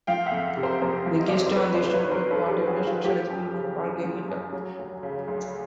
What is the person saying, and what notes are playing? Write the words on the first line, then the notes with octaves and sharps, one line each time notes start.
The guests on the show took part in a social experiment called Gay Kingdom.
F3 F5 G5
E5 F#5
F2
C3
A#4 C5
F2 A#4 C5
F3
D#5
F2 D5
C#5
C5 D5
F#3 B4 C#5
C5 D5
G2
C5
B4 C#5
D#3
A#4 C5
G2 A4 B4
G4 A4
F#3
F#4 G#4
G2
F4 G4
F3 G4 A4
F#2
C#3
F#2
F3
F#2
F#3
D2
C#3
D2